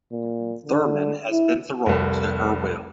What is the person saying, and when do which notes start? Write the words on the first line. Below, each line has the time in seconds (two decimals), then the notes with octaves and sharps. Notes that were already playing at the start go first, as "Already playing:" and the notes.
Thurman has bent the role to her will.
0.12 A#2
0.66 D3
1.31 E4
1.86 F1 C2